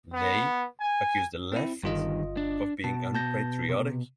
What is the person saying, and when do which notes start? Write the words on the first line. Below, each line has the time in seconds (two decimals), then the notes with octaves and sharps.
They accused the Left of being unpatriotic.
0.13 B3
0.80 G#5
1.52 C4 E4
1.83 G1 G2 D#3 F4 D#5
2.37 D4
2.84 B2 A5
3.15 A5 G6 A#6
3.69 C3